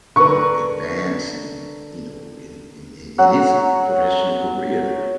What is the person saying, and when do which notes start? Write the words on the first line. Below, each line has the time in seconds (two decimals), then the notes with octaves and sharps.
you know, advance in, you know, in in in in his, eh, professional career,
0.16 D3 A#4 B4 C#6
3.18 F#3 F#5